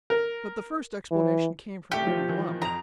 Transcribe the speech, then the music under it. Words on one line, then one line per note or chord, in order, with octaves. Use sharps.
But the first explanation came from Andy Lumm.
A#4
E3
C2 A3 G4 C#7
F3
D#3 E3
F2 A#5 F7